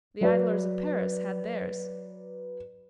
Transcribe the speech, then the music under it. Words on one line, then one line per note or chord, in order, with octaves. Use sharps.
The idlers of Paris had theirs.
F#3 B4 D5